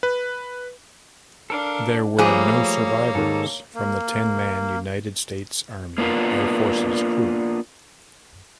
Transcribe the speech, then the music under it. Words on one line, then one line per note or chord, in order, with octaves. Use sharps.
There were no survivors from the ten-man United States Army Air Forces crew.
B4
D4 A4 A#4 F5
F3 G3 A3 A#3 G#4 C#5 G#5 F#6
G#2 D#3 A4
A#3
A#3 B3 D4 F4 A#4